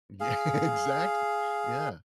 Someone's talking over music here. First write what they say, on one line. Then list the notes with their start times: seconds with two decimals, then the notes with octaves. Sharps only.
Yeah, exactly. Yeah.
0.20 G#4 F5